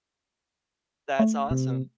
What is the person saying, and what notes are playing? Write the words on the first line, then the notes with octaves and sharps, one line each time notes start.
That's awesome.
A3
C3